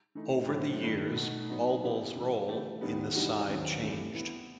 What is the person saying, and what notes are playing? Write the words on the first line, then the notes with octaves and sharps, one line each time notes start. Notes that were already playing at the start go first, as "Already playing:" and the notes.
Over the years Bulbul's role in the side changed.
E3 A3 D#4
A2 F#3 A3 C4
G2 D#3 A3
B2 A3 D#4
F#3 B3 D#4
C3 E3 B3 E4 G4
C3 E3 G3
E3 A3 E4 G4
D#2 D#3 G3 B3
C3 E3 G3 D#4 F#4
D#2 D#3 F#3 C4
E2 C3 E3 A3 E4
E3 B3 E4 B4